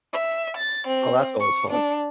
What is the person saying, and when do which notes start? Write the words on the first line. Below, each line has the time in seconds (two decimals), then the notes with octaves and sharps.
Well, that's always fun.
0.13 E5
0.56 A6
0.86 C4
1.39 C#6
1.69 D4